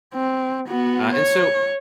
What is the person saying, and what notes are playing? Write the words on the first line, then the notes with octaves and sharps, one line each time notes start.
Uh, and so,
C4
B3 F#4
C#5